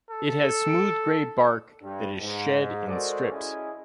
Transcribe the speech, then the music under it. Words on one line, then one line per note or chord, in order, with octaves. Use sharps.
It has smooth grey bark that is shed in strips.
A4
G2
G#2
G#3 F#4 A4 A#4 C5 D5
C#4 E4 G#4 D#5 G#5